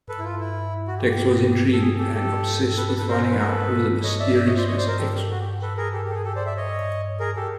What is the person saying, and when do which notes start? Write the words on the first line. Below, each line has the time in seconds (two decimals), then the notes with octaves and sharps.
Tex was intrigued and obsessed with finding out who the mysterious Miss X was.
0.09 A4 B4
0.19 E4
0.24 F4
0.40 E4
0.88 F#4
0.98 G4
1.09 G4
1.72 A4
1.82 G#4
1.98 G4 A4
2.14 G4 A4
2.77 A4 B4
2.88 A4 B4
2.98 A4 B4
3.08 A#4 C5
3.25 C5
3.31 B4
3.39 A#4
3.46 A4 B4
4.03 C#5 D#5
4.19 D5 E5
4.36 D5 E5
4.45 C#5 D#5
4.57 C5 D5
4.67 C#5 D#5
4.77 C5 D5
4.88 A#4 C5
4.98 G4 A4
5.15 G4
5.31 F#4
5.41 G4
5.62 A4 B4
5.77 G#4 A#4
5.93 G4 A4
6.04 G4
6.10 A4
6.14 G#4
6.25 G4 A4
6.36 C5 D5
6.46 D5 E5
6.57 C#5 D#5
7.20 G#4 A#4
7.36 G4 A4